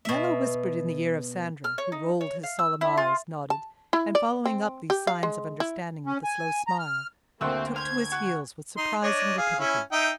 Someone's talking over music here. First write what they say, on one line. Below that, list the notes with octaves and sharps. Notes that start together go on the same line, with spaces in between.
Nello whispered in the ear of Sandro, who rolled his solemn eyes, nodded, and, following up these signs of understanding with a slow smile, took to his heels with surprising rapidity.
B2 E5
F6
C#5
D#4
C#5
F5
E6
E4
F4
A5
E4
D5
C4
G4
F5
G#3
E4
C#4
G#5
A#5
F6
D2 A3 A#3 C4 F#4 C6 E6
C5 F6 G#6
F#4
D#4 C6
D4 C#5 D#5
G#4 F5
C#4 E4
D#4 E5 G5